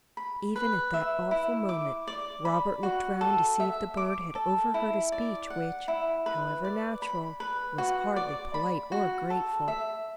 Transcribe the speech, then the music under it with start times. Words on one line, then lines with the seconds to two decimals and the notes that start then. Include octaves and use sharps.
Even at that awful moment Robert looked round to see if the bird had overheard a speech which, however natural, was hardly polite or grateful.
0.17 B5
0.56 B4
0.94 E5
1.31 E4
1.69 D6
2.07 D5
2.45 B5
2.83 F#4
3.21 A4
3.60 E5
3.97 D6
4.35 A4
4.74 E4
5.12 D5
5.50 F#5
5.88 E4
6.26 B4
6.64 D5
7.02 B5
7.40 B4
7.78 F#4
8.16 D5
8.54 B5
8.92 F#4
9.30 A4
9.68 E5